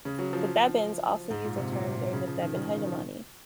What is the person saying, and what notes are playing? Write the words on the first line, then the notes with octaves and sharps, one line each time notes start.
The Thebans also used the term during the Theban hegemony.
C#3
F#3
F3
G#2
A#2
C3
A#2
C3
A#2
C#3
F3
D#3
C#3
C#3
D#3
F3